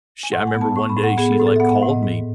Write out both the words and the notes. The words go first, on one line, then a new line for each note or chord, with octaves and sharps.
sh I remember one day she like called me
G#5
A2 F#5
G#5
B3
A5
A2 C#6
B5
A2
F#5
B3 G#4
A4
A2
A4
E5
B3 F#5
E5
A2
D#5
G#2